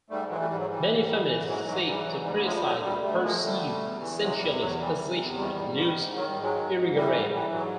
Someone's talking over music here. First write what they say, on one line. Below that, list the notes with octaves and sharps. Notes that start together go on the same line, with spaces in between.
Many feminists seek to criticize the perceived essentialist positions of Luce Irigaray.
G#2 G3 A3
E3 F#3 G#3
G3 A3
G#2 G3
F#3
E3 G3
G#2
E3
G#2
E3 F#3 G#3
G#2 F#3 G#3
E3 G3
G#2 F#3
D2 G3
G3
F3 F#3 G#3
G3
D3 F#3
D2 G3
D2 G3 A3
B3
F3 G#3 A#3
D3 G3 A3
D2
E2
E3
C3 F#3 G#3
E2 G3
E2 F#3
E3 G3
C3
E2
D#3 G3
G#2
D#3
G#2
D#3 F#3
G3
G#2
F#3 G#3
D#3
G#2
E3 G3
G#2 G3
E3 G3
G#2 F#3